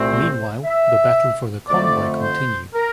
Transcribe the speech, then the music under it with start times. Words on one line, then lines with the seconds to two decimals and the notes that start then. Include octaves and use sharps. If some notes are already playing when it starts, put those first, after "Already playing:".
Meanwhile, the battle for the convoy continued.
Already playing: C2 A#2 A3 C4
0.11 C5
0.64 E5
1.68 F2 D3 A3 D5
2.20 C5
2.73 A#4